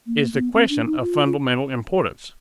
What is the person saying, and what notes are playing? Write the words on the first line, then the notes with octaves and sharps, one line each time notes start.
Is the question of fundamental importance?
A#3
A#3
B3
C4
D4
D#4
F4
F4